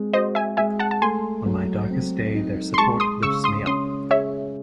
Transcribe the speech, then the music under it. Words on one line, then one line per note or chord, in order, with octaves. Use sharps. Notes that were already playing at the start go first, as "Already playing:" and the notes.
On my darkest day their support lifts me up.
Already playing: G#3 C4
F#4 C5 D#5
E5 G#5
G#3 E5 G#5
F#5 A5
A5
A3 G#5 C6
F#3
C4
D#4
C6
G#3 A5 C#6
C6 D#6
C#3 C#6 E6
C6 D#6
C#4 C6 D#6
G#4 C#5 E5